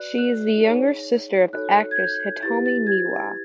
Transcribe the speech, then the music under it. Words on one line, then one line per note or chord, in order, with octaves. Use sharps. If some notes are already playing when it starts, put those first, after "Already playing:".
She is the younger sister of actress Hitomi Miwa.
Already playing: F#4 B4 D5 F#6
F#6
D#4 G#4 C#5
D#4 F#4 A4 C#5 F#6
G#6
G6
E4 G4 B4 A6
A6
G#6